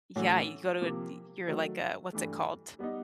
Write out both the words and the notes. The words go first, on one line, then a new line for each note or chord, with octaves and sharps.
yeah, you go to a y you're, like, a what's it called?
A2 E3 A3 C#4 F#4
C3 F3 A#3
D#3 F#3 A3
G2 E3 A3
G3 B3 D#4